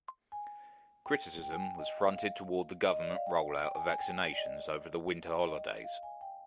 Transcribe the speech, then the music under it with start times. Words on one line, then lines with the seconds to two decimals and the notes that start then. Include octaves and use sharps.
Criticism was fronted toward the government rollout of vaccinations over the winter holidays.
0.32 G#5
1.06 G5
1.42 G5
1.52 G#5
1.60 G5
1.79 D#5
1.98 F5
2.16 F5
2.89 D#5
3.02 D5
3.15 F5
3.27 G5
3.63 G5
3.75 G#5
3.88 G#5
4.00 G5
4.33 D5
4.37 D#5
5.29 G5
5.47 D#5
5.84 F5
6.03 G#5
6.21 G5